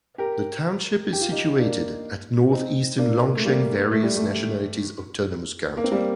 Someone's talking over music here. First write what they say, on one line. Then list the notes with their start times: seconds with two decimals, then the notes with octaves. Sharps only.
The township is situated at northeastern Longsheng Various Nationalities Autonomous County.
0.18 G4 A#4
1.13 G4
1.21 F4
1.31 D#4 G4
1.58 A#3 D4
2.51 C4 D#4
2.98 A#3 D4
3.36 A3
3.45 G3 A#3
3.92 A3
4.03 G3
4.16 A3
5.77 A#3
5.84 C4
5.91 G3 A#3